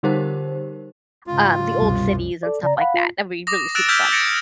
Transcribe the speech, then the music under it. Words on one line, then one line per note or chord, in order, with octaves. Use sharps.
um, the old cities and stuff like that. That'd be really super fun.
D3 G3 D#4 G4 A#4 C5
G#2 C#3 F4
C2 F#2 B2 G3
A4 D5
C#3 D5 A#5
F5 F#5 B5
F4
D6 D#6 A#6
E6 F#6 A6 D7 E7
E6 F6 G6 G#6 A#6 B6
A6 A#6 C#7 D7 E7